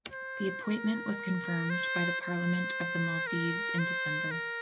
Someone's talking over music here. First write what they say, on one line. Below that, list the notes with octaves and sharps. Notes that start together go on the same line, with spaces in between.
The appointment was confirmed by the Parliament of the Maldives in December.
C5
A#4
C5
C5
A#4
C5
A#4